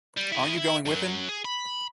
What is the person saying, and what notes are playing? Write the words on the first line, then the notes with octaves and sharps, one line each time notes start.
Aren't you going with him?
G3
E4 G#4
E4
F#2 F#3
G#4
B5